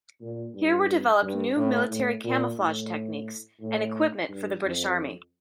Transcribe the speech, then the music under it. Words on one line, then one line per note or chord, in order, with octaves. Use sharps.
Here were developed new military camouflage techniques and equipment for the British Army.
A#2
G2
G2
A2
A2
A#2
A2
A2
G2
F2